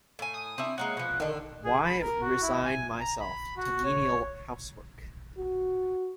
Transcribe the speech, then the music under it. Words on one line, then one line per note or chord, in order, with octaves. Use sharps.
Why resign myself to menial housework?
A2 G#5
D#6
C4 D4 E4
G#3 A#3 C#5 F#5
B2 F3
D3 D#3 D4
G#4
B5
A#4
F#4
E4
G#5
A#5
B5
F#4
C#5
F#4